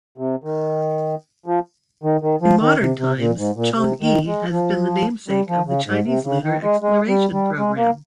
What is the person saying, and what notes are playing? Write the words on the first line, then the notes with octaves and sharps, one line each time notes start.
In modern times, Chang'e has been the namesake of the Chinese Lunar Exploration Program.
C3
D#3
F3
D#3
D#3
F3
D#3
C3
C3
A#2
G#2
A#2
C3
D#3
G#3
F3
G3
F3
C#3
G#2
C3
C#3
D#3
G#3
G#3
G3
G3
G#3
A#3